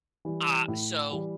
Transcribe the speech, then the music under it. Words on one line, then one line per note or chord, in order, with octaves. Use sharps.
Ah, so,
E3 G3
A2
E3 G3